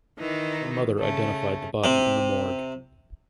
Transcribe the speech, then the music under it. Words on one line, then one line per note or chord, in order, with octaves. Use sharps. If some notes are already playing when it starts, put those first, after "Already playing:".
Her mother identified the body in the morgue.
D#3 E3 D#4
C#3 A3
C3